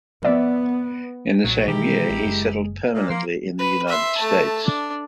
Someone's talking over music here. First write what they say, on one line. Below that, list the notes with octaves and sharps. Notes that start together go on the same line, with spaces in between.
In the same year, he settled permanently in the United States.
F3 B3 D5 E5
B1 A#2 F#3 C#5
B2 D#3 E3 G#3 A#3 E4 G4
A1
F#1
A#2
F3 A#3 C6
B4
E5 C6
A3 A5
D4